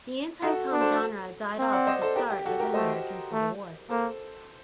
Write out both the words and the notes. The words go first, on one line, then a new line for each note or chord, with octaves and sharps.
The anti-Tom genre died off with the start of the American Civil War.
D#4 F#4 A4
D4
A4 C5
C4
D5 F#5
C5 D#5
A4 C5
G4 A#4
G4
F#4 A4
G4 A#4
A3 C5 D#5
A3
A#3 A4 C5